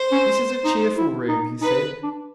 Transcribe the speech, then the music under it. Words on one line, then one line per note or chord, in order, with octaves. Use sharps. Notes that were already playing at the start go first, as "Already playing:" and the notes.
"This is a cheerful room," he said.
Already playing: C5
C#4
D#4
E4
D#4
D#4 B4
D4